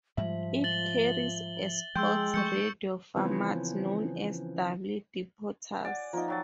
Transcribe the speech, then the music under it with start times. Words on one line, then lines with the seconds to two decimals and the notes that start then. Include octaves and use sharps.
It carries a sports radio format known as W Deportes.
0.17 G#2 F3 G3 G#3 E5
0.64 A6 F#7 G7
1.96 F3 G#3 G5 C6 E6 G6
2.34 F3 A3 C#6 G6 C#7
3.15 C#3 E3 F3 B3 C4
5.85 D5 F#5 G#5
6.13 F3 A#3 D#4
6.28 D#3 F#3 A5